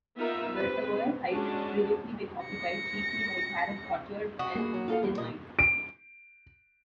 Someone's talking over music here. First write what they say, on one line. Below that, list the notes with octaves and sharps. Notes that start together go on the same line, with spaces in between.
The reservoir site had previously been occupied chiefly by carob orchards and tin mines.
A#3 B3 D#4 F4 A#4 E5
C4 B4
G#3 C#4 D4 F#4 A5
A#6 C#7
F#4 D#5
G2 A#3 G#4
F#3
F4 A4 F5
E2
A#2 D#5
D7